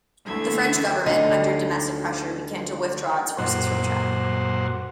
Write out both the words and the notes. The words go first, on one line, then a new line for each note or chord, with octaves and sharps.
The French government, under domestic pressure, began to withdraw its forces from Chad.
D2 E3 A3 E5 G#6
D2 D#4
F#2 A#2 C5 F#5